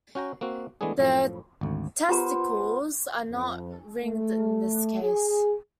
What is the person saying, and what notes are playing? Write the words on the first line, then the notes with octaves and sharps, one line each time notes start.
The testicles are not ringed in this case.
C#4 F#4 G5 A#5
A#3 C4 F#4
E3 G#3 A3 B3 D4 G#4
F#2 A2 F3
G#1 D2
B3 F4 G4 A#4 C5 A#5
F2
A3
G#4